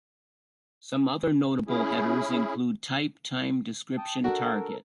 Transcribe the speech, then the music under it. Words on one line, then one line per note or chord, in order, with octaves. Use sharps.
Some other notable headers include: type, time, description, target.
C#4 E4 G#4
G5 A5 D#6
D4 F#4 A4 A#4